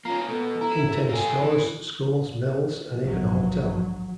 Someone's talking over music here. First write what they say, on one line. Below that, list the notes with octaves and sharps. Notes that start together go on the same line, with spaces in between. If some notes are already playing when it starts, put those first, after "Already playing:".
It contained stores, schools, mills, and even a hotel.
A#3 C#4 F4 A#5 F6 C7
B2 A4 F6
E4 A#5
A#3 G#4 C#5
E3
A#1 D#2 G#2 F#3